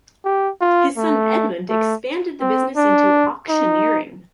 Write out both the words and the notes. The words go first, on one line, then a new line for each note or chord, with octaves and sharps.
His son Edmund expanded the business into auctioneering.
G4
F4
A3
A3
C4
D4
D#4